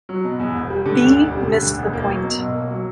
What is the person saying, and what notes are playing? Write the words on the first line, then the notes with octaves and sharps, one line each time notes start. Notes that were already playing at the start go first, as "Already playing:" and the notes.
B missed the point.
F#3
B2
E2
E1
G3
D3
D2
E1
G3
D3
D2
E1
A#3
F#3
B2
B1
A#3
F#3